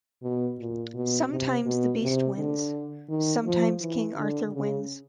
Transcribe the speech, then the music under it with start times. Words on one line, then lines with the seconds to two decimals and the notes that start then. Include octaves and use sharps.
Sometimes the beast wins, sometimes King Arthur wins.
0.22 B2
0.59 A#2
0.94 B2
1.30 C3
1.66 B2
2.02 C3
2.37 D3
3.09 D#3
3.45 F3
3.80 E3
4.17 D3
4.53 C#3